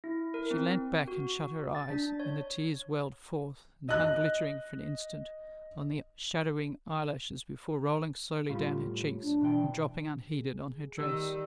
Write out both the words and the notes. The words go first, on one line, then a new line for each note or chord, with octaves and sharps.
She leant back and shut her eyes, and the tears welled forth, and hung glittering for an instant on the shadowing eye-lashes before rolling slowly down her cheeks, and dropping, unheeded, on her dress.
E4
A#4
C4
F#4
A6
D4
C#5
D#5 F#6
A2 G3 F4
D4
B2 E3 G5
G#4
D#3 G3 E6